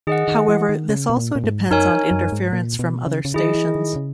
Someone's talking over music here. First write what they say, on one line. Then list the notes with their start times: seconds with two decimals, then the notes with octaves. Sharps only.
However, this also depends on interference from other stations.
0.07 D#3 G#4 D#5 F#5
0.28 D#3
0.48 E3
0.69 D#3
0.89 C#3
1.10 B2
1.17 A#2
1.35 A#2
1.44 G#2
1.71 F#2 D#4 A#4 C#5 G#5
2.11 F#2
2.32 G#2
2.53 A#2
2.79 B2
3.07 C#3
3.25 C#3
3.34 D#3 E4 G#4 D#5
3.55 E3
3.75 D#3
3.96 C#3